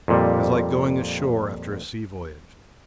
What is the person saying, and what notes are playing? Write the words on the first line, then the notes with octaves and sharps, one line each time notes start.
It is like going ashore after a sea voyage.
F2 A#2 G3